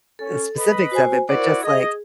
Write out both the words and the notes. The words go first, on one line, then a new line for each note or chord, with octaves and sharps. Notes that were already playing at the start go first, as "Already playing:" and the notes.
uh, specifics of it, but just like
C#4 A4
B4 D#5 B5
F#4 C5 G#5
E4 F#4 A#4 C5 D5
G#4 D#5